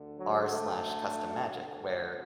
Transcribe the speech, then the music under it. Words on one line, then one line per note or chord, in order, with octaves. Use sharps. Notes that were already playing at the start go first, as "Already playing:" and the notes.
r/custommagic, where,
Already playing: D2 D3
F#3
A3